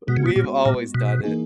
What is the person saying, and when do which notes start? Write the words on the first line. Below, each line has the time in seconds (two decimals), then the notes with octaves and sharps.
we've always done it.
0.07 B2 G#3 B3 F#4
0.17 C#3
0.26 B2
0.36 A#2
0.65 A#2
0.94 B2
1.24 E3 A#3 D#4 G#4